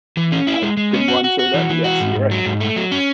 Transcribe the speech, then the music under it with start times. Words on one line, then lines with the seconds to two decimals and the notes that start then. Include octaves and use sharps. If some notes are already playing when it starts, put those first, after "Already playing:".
y I didn't want to say that, but yes, you're right.
0.17 E3
0.32 C#4
0.47 E4
0.62 G#3
0.77 G#3
0.94 C#4
1.08 F#4
1.24 F#4
1.39 F#4
1.54 E3
1.69 E3
1.84 F#4
2.00 G#2
2.16 G#2
2.31 F#3
2.46 G#2
2.60 A3
2.76 F#3
2.92 C#4